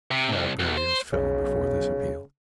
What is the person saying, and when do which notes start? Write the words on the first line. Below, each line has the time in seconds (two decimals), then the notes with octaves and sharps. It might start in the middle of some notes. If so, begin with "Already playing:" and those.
All barriers fell, before this appeal.
0.11 C3
0.32 C2
0.59 B1
0.78 C5
1.13 B1 C#3